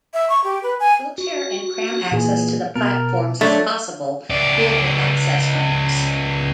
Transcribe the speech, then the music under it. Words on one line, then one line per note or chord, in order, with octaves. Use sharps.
Wheelchair and pram access to the platforms is possible, via the access ramps.
E5
C#6
G4
B4
G#5
F#4
A#2 E3 G#4
B2 A#4 A5
F#3 A3 D4 A4 C5 C#5 A5
C#2 D5